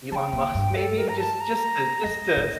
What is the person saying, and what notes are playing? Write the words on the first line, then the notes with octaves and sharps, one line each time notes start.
Elon Musk, maybe, just just to just to,
D3 A5
G5
A#2
G2
A4
A#4
A#5
A5
A#5
F#2 D#5
A2